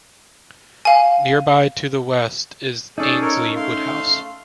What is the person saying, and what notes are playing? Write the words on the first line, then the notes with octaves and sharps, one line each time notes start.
Nearby to the west is Annesley Woodhouse.
F5 G#5
C#4 D#4 G#4 A4 D5
A4 A#4 C#5
A3 F5 C6